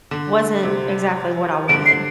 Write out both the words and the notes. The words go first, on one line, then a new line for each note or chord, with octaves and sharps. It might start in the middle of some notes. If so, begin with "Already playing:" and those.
wasn't exactly what I wanted,
D3
C3
D3 D7
C7